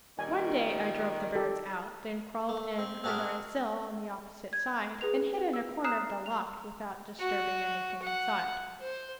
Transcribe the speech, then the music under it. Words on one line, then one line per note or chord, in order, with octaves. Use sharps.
One day I drove the birds out, then crawled in under a sill on the opposite side, and hid in a corner of the loft without disturbing anything inside.
A#2 D#3 G3 G#5
G4 A4
A3
C4
C4 D4 F#4 G#4 A#4
G#6
G#4 B4 F7
E6
A#5 D#6 F6 F#6 C7 E7
F7
F#4
F#5
C5